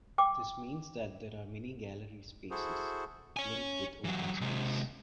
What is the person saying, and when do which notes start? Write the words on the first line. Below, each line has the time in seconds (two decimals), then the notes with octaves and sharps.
This means that there are many gallery spaces, linked with open space.
0.18 G5 D6
2.51 E4 F#4 G#4 A4 C5
3.37 C#5 G#5
4.04 E3 F#3
4.41 C3 G#3